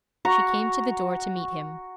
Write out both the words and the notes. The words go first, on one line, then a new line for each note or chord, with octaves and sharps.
She came to the door to meet him.
F#4 A#5 C#6